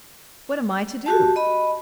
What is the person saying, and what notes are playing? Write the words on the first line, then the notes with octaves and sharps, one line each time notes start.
"What am I to do?"
F#4 G4 A5
D#5 B5